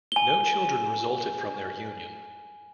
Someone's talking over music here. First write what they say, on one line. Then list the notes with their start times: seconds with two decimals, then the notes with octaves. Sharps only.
No children resulted from their union.
0.12 G#5 G7